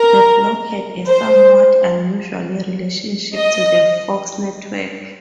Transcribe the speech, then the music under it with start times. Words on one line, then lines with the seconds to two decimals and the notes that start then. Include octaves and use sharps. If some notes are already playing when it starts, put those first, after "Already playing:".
The block had a somewhat unusual relationship to the Fox network.
Already playing: A#4
1.07 C5
3.36 D#5